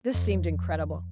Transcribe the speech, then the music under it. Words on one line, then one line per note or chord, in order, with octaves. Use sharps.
This seemed incredible.
F2